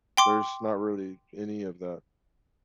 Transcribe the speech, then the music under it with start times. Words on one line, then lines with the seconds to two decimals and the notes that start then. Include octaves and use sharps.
There's not really any of that
0.17 G5 C6 D6